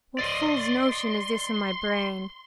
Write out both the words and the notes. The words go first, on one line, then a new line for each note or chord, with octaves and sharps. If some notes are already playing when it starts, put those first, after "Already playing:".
What fool's notion is this in my brain?
D5 D#5 C6